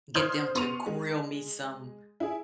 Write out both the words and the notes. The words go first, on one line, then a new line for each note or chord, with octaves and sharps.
get them to grill me some,
C5 C6 D#6 F6 G6 G#6
B3 C6 C#6 D#7 F7
G#3
E4 G#4